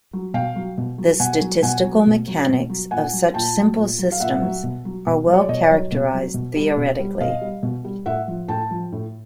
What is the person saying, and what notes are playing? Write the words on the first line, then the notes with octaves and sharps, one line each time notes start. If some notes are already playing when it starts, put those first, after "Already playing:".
The statistical mechanics of such simple systems are well-characterized theoretically.
F#3
B2 F5 G5
F#3
B2
F#3
B2 F#5 G#5
F#3
B2 F#5 G#5
F#3
B2
F#3
B2
F#3
A#2 F#5 G#5
F#3
A#2 G5 A5
F#3
A#2
F#3
F5
A#2 E5 F#5
F#3
B2
F#3
B2
F#3
C#5
D5
B2 C#5 D#5
F#3
B2
F#3
B2
G3
B2
G3
B2 D#5 F5
G3
B2
G3
A2 E5 F#5
F3
A2 G5 A5
F3
A2